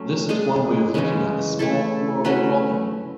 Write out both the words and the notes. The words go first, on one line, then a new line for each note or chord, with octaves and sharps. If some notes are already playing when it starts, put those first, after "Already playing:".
This is one way of looking at the small world problem.
Already playing: F#3 A3 C#4
G#3 D4 G#4
C#3 E3 G#3 C#4
A3 E4 A4
A3 C#4 F#4 B4